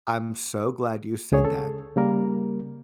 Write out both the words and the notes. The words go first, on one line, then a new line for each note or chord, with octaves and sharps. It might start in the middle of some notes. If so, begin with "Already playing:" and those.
I'm so glad you said that.
C#2 C#3 G#4 C#5
A4
C#3 G3 A#3 A#4